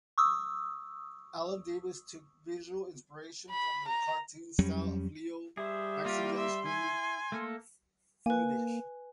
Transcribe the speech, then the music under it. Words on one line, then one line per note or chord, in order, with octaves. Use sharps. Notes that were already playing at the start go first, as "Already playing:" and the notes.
Alan Davis took visual inspiration from the cartoon style of Leo Baxendale's "Grimly Feendish".
C#6 D#6 E6
B5
A#5
F2 F#3 G3 C#4
G3 G#4 C5 E5
A#3 F4 G4
E5 C6
E4 G#5
A3 A#3 A4
A#3 B4 G#5